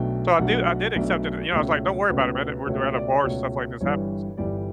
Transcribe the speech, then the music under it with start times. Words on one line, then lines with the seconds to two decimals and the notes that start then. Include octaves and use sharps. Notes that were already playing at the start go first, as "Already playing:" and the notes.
so I do I did accept it, you know, I was like, "Don't worry about it, man at we're do at a bar, stuff like this happens."
Already playing: B1 B2 A3 D4 G5
0.38 B1 B2 A3 D4 F#5
0.95 B1 B2 A3 D4 D5
1.52 C#2 B2 A3 C#4
2.09 C#2 B2 A3 C#4 B4
2.39 B4
2.66 C#2 B2 A3 C#4 C#5
2.96 D5
3.24 C#2 B2 A3 C#4 C#5
3.81 G1 G2 E3 G3 C#5
4.37 G1 G2 E3 G3 D5